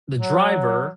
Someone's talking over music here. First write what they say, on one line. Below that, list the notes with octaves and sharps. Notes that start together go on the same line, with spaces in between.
the driver,
F#3